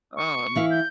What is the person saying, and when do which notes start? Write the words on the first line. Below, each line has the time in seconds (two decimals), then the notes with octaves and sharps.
Oh n
0.16 C#6
0.56 E3 E4 F5
0.71 G6